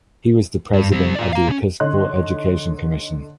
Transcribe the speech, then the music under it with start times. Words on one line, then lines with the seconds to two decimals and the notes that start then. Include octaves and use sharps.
He was the President of the Episcopal Education Commission.
0.73 G2
0.92 G3 C4
1.15 F4 D5
1.33 F5 A#5
1.47 A2 C#4
1.80 D3 D#4 C#5 D#5 C6 F#6